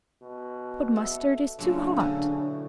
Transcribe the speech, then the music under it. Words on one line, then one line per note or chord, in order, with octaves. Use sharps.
"But mustard is too hot."
B2
A4 E5
A#2 C#3 F#3 A3 D4
B2 D3
A2